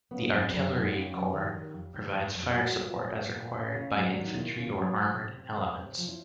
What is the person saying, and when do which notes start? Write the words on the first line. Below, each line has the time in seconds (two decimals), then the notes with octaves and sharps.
The Artillery Corps provides fire support as required by infantry or armoured elements.
0.11 C#3 B3
0.32 F#2 C4
0.52 F#2 D4
0.72 F#2 D#4
0.92 C#3 G#4
1.02 G4
1.13 F#2
1.33 D#3
1.53 D#3
1.73 F2
1.93 D#3
2.13 F2
2.34 F2
2.43 G4
2.54 G3 F#4
2.74 B3
2.84 F4
2.94 A#2
3.14 A#2
3.35 A#2
3.55 A#2
3.75 C#3
3.95 F#3
4.13 D#2 D4
4.24 D#4
4.36 D#2 E4
4.56 C#3
4.77 F#3
4.97 C3
5.16 C3
5.37 C3
5.57 E2
5.77 C3
5.97 F3
6.09 E4